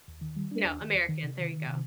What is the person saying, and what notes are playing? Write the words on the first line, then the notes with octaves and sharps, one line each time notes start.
you know, American. There you go.
D#2
D#3
G3
D4
D#2
D#3
D#2
D#3
C3
D#3
D#3
C3